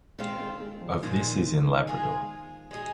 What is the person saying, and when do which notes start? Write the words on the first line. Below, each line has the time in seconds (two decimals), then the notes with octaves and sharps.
Of this is in Labrador.
0.19 D#3 G#3 C4 F4
0.40 G#3
0.60 G#3
0.81 F3
1.03 A#2 D#3 F3 G#3
1.87 G#3 F4 G#4
2.71 G#3 D#4 G#4